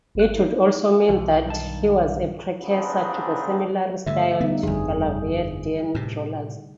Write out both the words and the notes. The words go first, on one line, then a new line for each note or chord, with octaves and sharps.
It would also mean that he was a precursor to the similarly-styled Gallovidian rulers.
G1 F#6
D#4 E4
B1 E3 F3
G2 D#3 A5
G2 C#3 B3 C4 D4 D#4
G2 D3 A3 E5
D3 G3 B3 D#4
G1 F2 G#4
A2 C3